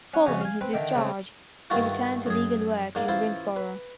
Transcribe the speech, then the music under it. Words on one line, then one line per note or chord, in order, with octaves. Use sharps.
Following his discharge he returned to legal work in Greensboro.
C#4 F#5
F2 C#3 C#4 F#4
F5 G#5
C4 B4
D3 D#3 E5 G5
C#3 A3 C4
G2 D3 D#3 A3 F4 F#4
F#2 G#4
G#2 D3 A#3
A1 E4 F4 C5
B4